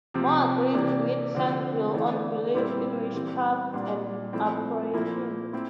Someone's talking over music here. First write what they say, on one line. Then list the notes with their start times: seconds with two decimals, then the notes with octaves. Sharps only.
More agreed with Glanvill on belief in witchcraft and apparitions.
0.14 C3 F3 C4
0.74 C3 E3 A#3 D4
1.35 D3 F3 C4
1.94 E3 A3 D4
2.54 A#2 G3 C4 E4
3.14 E3 G3 C4
3.73 A#2 G3 D4
4.33 F3 A3 C4 E4
4.94 A#2 F3 A#3 E4
5.53 C4 E4